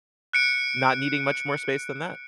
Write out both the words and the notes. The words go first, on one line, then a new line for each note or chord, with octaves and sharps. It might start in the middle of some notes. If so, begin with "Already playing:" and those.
not needing much more space than that.
F#6 C#7 D7